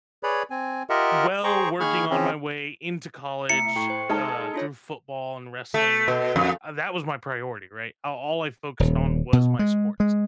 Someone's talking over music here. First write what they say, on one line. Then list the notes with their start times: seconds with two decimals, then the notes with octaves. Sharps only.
well, working on my way into college, uh, through football and wrestling, and uh that was my priority, right? Uh, all I focused on was my sports.
0.23 G#4 B4 C#5 D5 B5
0.50 C4 G#5
0.90 F4 G4 A#4 D#5 E5 F#5
1.44 G#4 C5 G5 A#5 C#6
1.80 D#3 A#3 G#4 B5 C#6 F6
2.10 C#3 F3 C4 C#4
3.49 A3 E4 A#5 C#7
3.76 A2 G5 C#6 C7
3.90 C5
4.09 G#3 D#4 A4 F6
4.54 D4 F4 C#5
5.74 A3
6.08 B2
6.36 F2
8.80 D#1
9.33 B2
9.59 G#3
10.00 G#3